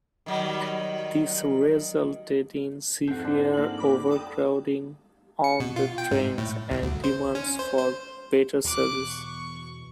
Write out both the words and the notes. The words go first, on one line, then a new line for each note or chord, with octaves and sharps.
This resulted in severe overcrowding on the trains and demands for better service.
D#3 F#3 G3
F2 G#2 C4 A4 F#5
D3 A5
A#3 F#7
B5 D6
A4 G5 D#6
C#7
B2
F4
G5
G#2
A2
C2
D2
C5
C#4
C5
C5
E2 B2 D6 F#6
C#6